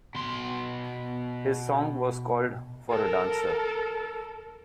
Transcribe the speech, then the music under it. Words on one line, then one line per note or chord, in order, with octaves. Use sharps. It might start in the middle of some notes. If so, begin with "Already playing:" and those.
His song was called "For a Dancer".
B2 C6
A4 A#4